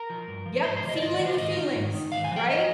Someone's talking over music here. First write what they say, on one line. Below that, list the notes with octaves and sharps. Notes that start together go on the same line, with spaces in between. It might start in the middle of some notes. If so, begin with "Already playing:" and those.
Yep, feeling the feelings, right?
Already playing: A#4
F3
G2
F3
G#2 C5
C5
D#3
D#5
D5
G#2 D#5
D5
D#3
C5
G#2 D#5
D#3
G#2
D#3
G#2 F5
G#5
F3 G5
D#5